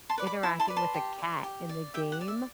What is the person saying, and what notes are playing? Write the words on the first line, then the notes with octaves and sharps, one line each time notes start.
interacting with a cat in the game,
A5 C6
B4 D5
B5 D6
E4 A5 C6
A5 C6
B4 D5
A5 C6
G4
D5
G4
D5
G4 E5 G5
F#5
D5
E5